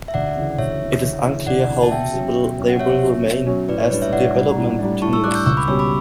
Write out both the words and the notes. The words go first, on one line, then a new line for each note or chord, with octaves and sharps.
It is unclear how visible they will remain as the development continues.
E5
D2 D5 F#5
C#3 E3
D2 C#5 E5
C#3 E3
D2
C#3 E3
D2 D5 F#5
C#3 E3
A5
B2 E5 G5
F#3 C#4
B2
F#3 C#4
F#5
B2 C#5 E5
F#3 C#4
B2
F#3 C#4
A2 B4 D5
C#5
G3 D4 B4 D5
C#5 E5
A2 D5 F#5
G3 D4
A2
G3 D4
A2 A5 C#6
C#6 E6
G3 D4 D6 F#6
E6 G6
C#2 C#6 E6
B5 D6
B2 G3 C#4 G4 C#6 E6
B5 D6